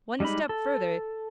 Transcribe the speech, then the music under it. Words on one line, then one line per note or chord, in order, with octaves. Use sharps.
'One step further....
G3 G#3 D#4 G4 B5
A4